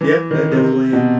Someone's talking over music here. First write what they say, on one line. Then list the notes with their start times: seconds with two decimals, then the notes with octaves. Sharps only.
Yeah. That definitely
0.01 E3
0.31 D#3
0.52 C3
0.93 B2